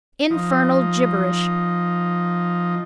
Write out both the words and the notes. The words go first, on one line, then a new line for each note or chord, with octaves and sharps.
Infernal gibberish!
F3 D#4